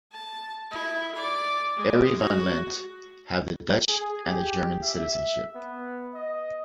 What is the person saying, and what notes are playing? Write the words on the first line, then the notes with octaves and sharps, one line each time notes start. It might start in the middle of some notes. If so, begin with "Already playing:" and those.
Arie van Lent have the Dutch and the German citizenship.
A5
E4
D5
G#3
F#4
G#4
G4
E5
B3
D#5